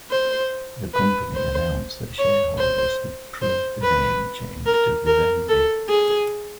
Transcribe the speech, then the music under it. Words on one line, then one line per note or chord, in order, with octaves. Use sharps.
The company announced that shareholders had approved the name change to "Vivendi".
C5
B4
C5
C#5
C5
C5
B4
A#4
A#4
A4
G#4